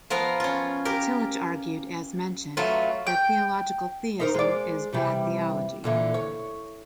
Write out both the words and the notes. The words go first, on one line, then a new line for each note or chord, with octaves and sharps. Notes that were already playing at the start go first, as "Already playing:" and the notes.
Tillich argued, as mentioned, that theological theism is "bad theology".
F3 B3 A#4 F5
C#4 F4
G4 A#4
F#3 A3 F4 B4
G5
D#4 A#4 C5
G#3 D5
C3 E3 G3
A#2 D3 E3
C#5